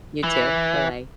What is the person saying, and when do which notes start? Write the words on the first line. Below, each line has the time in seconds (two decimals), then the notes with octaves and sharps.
You too, bye-bye.
0.24 E3